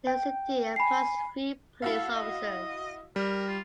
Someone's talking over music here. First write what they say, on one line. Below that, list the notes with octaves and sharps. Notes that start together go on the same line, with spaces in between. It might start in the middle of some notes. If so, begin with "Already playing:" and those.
The city employs three police officers.
G5
G#5 B5 C7
E4 F#4 A4 F5
D#5
G3 A#4
F4